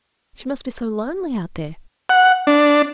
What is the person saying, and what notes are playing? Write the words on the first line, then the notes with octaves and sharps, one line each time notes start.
She must be so lonely out there.
F#5
D4